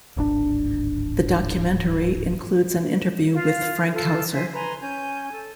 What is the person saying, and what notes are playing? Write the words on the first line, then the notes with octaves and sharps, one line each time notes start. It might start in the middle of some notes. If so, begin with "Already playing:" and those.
The documentary includes an interview with Frankhauser.
D1 G#1 D4
F4 F5
F4 A4
C5 E5 G#5
B4 G#5 A#5 C6
C#4 G#5 G6
A4